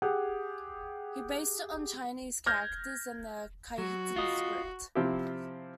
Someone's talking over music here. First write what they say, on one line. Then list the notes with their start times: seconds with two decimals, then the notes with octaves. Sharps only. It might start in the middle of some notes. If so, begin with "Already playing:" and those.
He based it on Chinese characters and the Khitan script.
0.02 G4 G#4 F#5
2.46 F6 G6 G#6 A#6
3.78 F#3 F#4
4.16 F4 D#5
4.95 C3 F3 C4 E4 G4